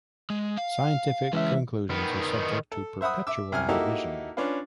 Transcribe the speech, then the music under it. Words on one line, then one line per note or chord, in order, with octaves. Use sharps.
Scientific conclusions are subject to perpetual revision.
G#3
F5
E3 G#3 C#4 E5
D#3 B3
A4
C5 E5 F#5 B5 D#6
E5 D6 E6
C2 G#5 F6
A#3 D#4 E4 F#4 G4 A4
C#4 D4 F4 B4 F5